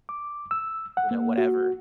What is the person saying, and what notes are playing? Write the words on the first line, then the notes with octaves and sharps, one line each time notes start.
you know, whatever.
D6
E6
F#5
A#3
F#4